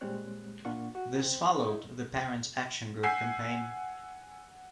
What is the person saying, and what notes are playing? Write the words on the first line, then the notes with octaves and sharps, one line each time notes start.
This followed the Parents Action Group campaign.
A#2 G3 G#3 C4 C#5 F#6
A#2 A#3 D4 F4 F#5 C#6
F#4
C4
D#4 E4
F#5 G#5 E6 G6 B6 C7